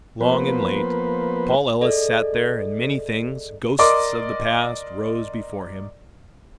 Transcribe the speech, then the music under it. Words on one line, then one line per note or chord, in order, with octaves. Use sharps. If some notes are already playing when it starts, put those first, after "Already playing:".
Long and late, Paul Ellis sat there and many things, ghosts of the past, rose before him.
F3 A#3 B3 B4 C5
G#4 A4 D5 D#5
A#4 D5 D#5 C6 D6